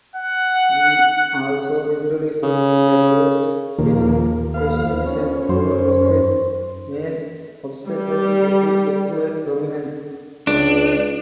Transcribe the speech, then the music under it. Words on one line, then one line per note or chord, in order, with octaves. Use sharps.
She also introduces the phrase "penis fascination" to describe male obsession with sexual dominance.
F#5
C#3
D#2 A#2 F3 A#3
F3 B3 F5 B5
C#4
F#2 C5
G3
C#2 D4